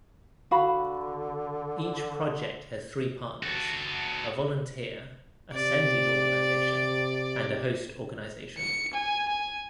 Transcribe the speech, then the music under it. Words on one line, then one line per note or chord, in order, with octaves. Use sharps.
Each project has three partners, a volunteer, a sending organisation and a host organisation.
D3 F#4 F5 B5
F#4 A4
C3 D5
C#7
G#5
G#5